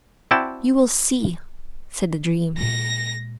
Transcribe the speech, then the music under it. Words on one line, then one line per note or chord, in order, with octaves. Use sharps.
"You will see," said the dream.
C4 E4 F#4 D5 G5 A5
A#2 G#3 A#6